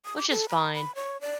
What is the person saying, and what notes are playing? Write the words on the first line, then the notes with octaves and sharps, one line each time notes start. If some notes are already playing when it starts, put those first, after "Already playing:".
Which is fine.
D#6
D6
A4
B5
B5
C#5
D5